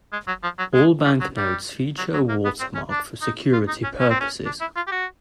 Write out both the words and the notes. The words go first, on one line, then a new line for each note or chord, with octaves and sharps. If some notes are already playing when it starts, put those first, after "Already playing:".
All banknotes feature a watermark for security purposes.
G#3
F#3
F3
F#3
G#3
G3
F#3
G3
F#3
F#3
A#3
B3
C4
C#4
D4
D#4
F4
D#4
C#4
C#4
C4
C#4
D4
E4
F4
G4
F#4